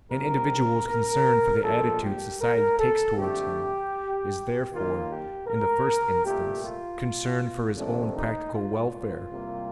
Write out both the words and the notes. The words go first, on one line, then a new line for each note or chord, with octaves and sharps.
An individual's concern for the attitude society takes toward him is therefore in the first instance concern for his own practical welfare.
D2 C3 D#3 G3 C4 A#4
A#4
A#1 A#2 F3 A#3 A4
G4
A#4
A4
F2 D3 A3 G4
D#2 D#3 A#3 F4
G4
A#4
C2 A#2 A3 G4
F4
F2 C3 D#3 A3 C4 D4
D#4
F4
C2 C3 G3 A#3